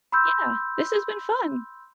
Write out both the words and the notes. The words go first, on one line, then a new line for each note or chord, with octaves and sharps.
Yeah, this has been fun.
B5 C6 E6 G6